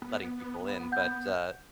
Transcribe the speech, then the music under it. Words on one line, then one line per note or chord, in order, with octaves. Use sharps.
letting people in, but, uh,
B3
F#5 G6